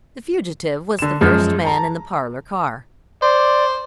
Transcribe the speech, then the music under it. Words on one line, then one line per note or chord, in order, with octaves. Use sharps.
The fugitive was the first man in the parlor car.
D3 E7
F#2 F3 G#3
A5 A#5
C5 D5